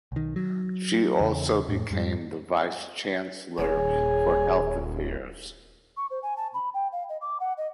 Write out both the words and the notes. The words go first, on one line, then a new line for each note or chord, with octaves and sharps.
She also became the vice chancellor for health affairs.
B1 D#3
F#3
E2 C#3
F2 A2
F2 G#2 G3
D#1 G#4 C#5
C#6
C5
G#5
A5
B5
G5
F5
D#5
D6
F#5
D#5